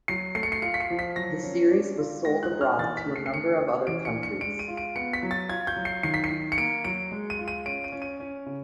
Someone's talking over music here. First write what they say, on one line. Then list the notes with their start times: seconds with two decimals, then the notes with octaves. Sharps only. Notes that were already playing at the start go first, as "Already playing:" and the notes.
The series was sold abroad to a number of other countries.
0.08 F#3 C7
0.35 A3 C7
0.43 C#7
0.52 C7
0.62 F4 C#7
0.74 B6
0.80 C7
0.90 F3
0.99 B6
1.16 F#3 A#6
1.43 C#4
1.71 D4
1.98 F4
2.25 G#3 A#6
2.43 F#6
2.51 D#4
2.61 F6
2.78 E3 A6
2.97 B6
3.05 A3
3.16 C7
3.26 C7
3.33 A3 C#7
3.60 C#4
3.87 E3 D7
4.05 C#7
4.14 D4
4.23 C#7
4.41 G#3 D7
4.59 D#7
4.68 F4
4.77 D7
4.96 B3 C#7
5.13 B6
5.23 F#3
5.31 A6
5.49 F4 G#6
5.67 G6
5.76 F#3
5.85 C7
6.03 D#3 C7
6.14 B6
6.24 C7
6.31 D#3
6.52 C#7
6.57 A#3 D7
6.85 F#3 D7
7.11 G#3
7.30 D#7
7.39 F4
7.48 D#7
7.65 C#4 D7
7.84 D#7
7.92 C#4
8.02 D#7
8.20 C#4
8.46 C#3